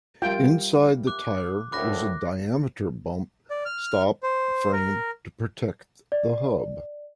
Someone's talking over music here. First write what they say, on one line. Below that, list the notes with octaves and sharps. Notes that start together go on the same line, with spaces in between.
Inside the tire was a diameter bump stop frame to protect the hub.
G3 F4 A#4 E5 G5
D6 F#6
D2 A2 A#4 E5 B5 D6 F#6 A#6
D5
F6
C5
A#4
D5